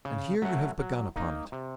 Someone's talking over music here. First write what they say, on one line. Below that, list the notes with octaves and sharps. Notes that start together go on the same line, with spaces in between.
And here you have begun upon it.
C#3
F#3 A3 C#4 F#4
F#3
A#3 D#4 A#4
C3